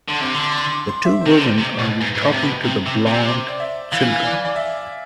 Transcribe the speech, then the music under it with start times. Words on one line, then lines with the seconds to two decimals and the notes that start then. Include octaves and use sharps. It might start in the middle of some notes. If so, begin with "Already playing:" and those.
The two women are talking to the blond children.
0.08 D3 C6
0.21 C3 C6
0.34 D3 C6
0.41 D6
0.57 C6
0.73 D6
0.89 C6
1.05 E5
1.21 C5
1.26 C3 B4
1.36 D3 C5
1.58 C3
1.79 B2
2.00 G#2 B4
2.15 G#2
2.22 A2
2.33 C3
2.43 B2
2.64 C3
2.86 C3
3.06 C3
3.28 C5
3.48 D5
3.60 E5
3.92 E3 F5
4.02 G#5
4.13 F5
4.24 D5
4.45 D5
4.56 E5